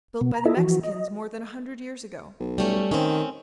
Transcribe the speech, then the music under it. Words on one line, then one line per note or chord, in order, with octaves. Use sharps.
"Built by the Mexicans more than a hundred years ago."
B2 B3
A#5
E4 F4 A4 D#5 E5
E3 F3 F#4
D#5
B1
G3 A3 C#4
D#3 C4 C#4